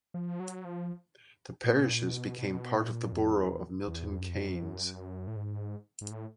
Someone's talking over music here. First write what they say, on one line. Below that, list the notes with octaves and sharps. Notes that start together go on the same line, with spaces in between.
The parishes became part of the borough of Milton Keynes.
F3
F#3
F3
A#2
B2
B2
A#2
F2
E2
E2
F2
F#2
F2
F#2
F2
F#2
A2
G#2
G#2
A2